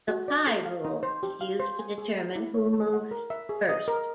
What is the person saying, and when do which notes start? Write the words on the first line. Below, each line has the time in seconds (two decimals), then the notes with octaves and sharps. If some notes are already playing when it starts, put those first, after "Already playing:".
The pie rule is used to determine who moves first.
0.08 F#4
0.28 D5
0.47 A4
0.66 F5
0.85 D#4
1.03 C5
1.23 G4
1.41 F5
1.60 C5
1.79 G#5
1.98 G#4
2.18 E5
2.36 E4
2.54 C#5
2.74 A4
2.93 F#5
3.11 A#4
3.30 E5
3.49 G#4
3.69 D#5
3.88 A#4